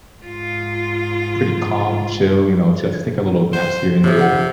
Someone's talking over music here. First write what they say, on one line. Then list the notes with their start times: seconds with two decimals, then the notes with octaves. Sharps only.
pretty calm, chill, you know, she likes to take a little naps here and there.
0.22 G#2 F4
3.53 C5
4.04 A2 C3 F3
4.17 D2 D5 F#5